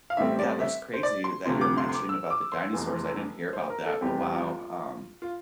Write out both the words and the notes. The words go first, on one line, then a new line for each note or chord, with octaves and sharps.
yeah, that's crazy that you're mentioning about the dinosaurs, I didn't hear about that, but wow, um,
F5
A1 A2 G3 C4 E5
D5
E5
C5
D5
C6
D2 C3 F3 C6
D6
C6
C6
D6
E6
D6
C6
F1 E2 E3
C5
A#4
A4
F1 E2 E3 G3 C4 G4
F4
F4